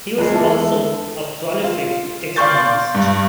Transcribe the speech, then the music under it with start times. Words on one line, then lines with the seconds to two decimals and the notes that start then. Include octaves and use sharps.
He also was a prolific taxonomist.
0.18 E2 G#3 F4
0.35 E3 G#4 A4 E5 A5
1.64 F4
2.36 D5 F5 C6 C#6 G6 A6
2.94 G2